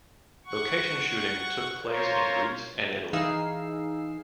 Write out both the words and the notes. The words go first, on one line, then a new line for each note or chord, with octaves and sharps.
Location shooting took place in Greece and Italy.
F#5 C#6
F4 A#4 C5 C#5
E3 D#4 G#4 F5 E6 C7